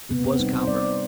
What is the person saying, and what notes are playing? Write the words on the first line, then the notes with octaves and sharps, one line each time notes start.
It was copper.
C3 B3
C4
G3 D#4
C5
G3 D5